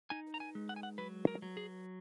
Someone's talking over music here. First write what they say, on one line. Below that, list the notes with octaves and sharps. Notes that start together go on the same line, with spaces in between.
Some people said this was because pigs were unclean.
D#4 G#5
A#5
G#5
G#3
F#5
G#5
F#5
F#3 B4
A#4
F#3
G#4